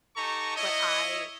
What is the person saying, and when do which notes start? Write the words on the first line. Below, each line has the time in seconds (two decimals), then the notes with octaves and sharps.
But I,
0.16 D#4 G4 A4 A#5 C#6
0.57 E4 C#5 D#5